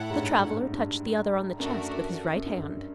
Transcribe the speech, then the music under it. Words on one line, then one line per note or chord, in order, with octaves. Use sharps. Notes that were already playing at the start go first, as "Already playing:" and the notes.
The traveller touched the other on the chest with his right hand.
Already playing: A2 E4 A4 C#5 F#5
G#2
G2
G2
G2
F#2 A3 D4 F#4 A#4
F#2
G2